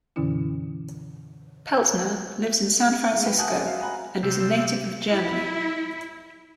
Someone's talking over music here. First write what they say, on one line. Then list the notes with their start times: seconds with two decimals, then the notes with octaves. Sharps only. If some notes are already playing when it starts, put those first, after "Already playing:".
Peltner lives in San Francisco and is a native of Germany.
0.16 F#2 B2 D3 E3 C#4 E4
3.12 G#3 D#4
3.25 F#3 B4 G5
3.38 E5 F#5 G#5 A5 D#6 F#6
3.52 C4 C#4 G#4 C#5 D5
3.65 F#4 C5 E5 F5
3.80 F5 F#5 G#5 A#5 B5 F#6
4.23 C3 G3 E6
5.09 E4